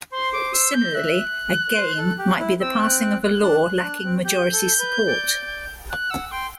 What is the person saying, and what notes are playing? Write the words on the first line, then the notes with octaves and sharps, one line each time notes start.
Similarly, a "game" might be the passing of a law lacking majority support.
C5 C6
D6
E6
G6
E5 F#6
C5
A4
G4
E4
C4 E6
F#6
F#6
F#6
D4
D4
C4
G4 G6
A4
B4
D5
F#6
F#5 E6
G5 C6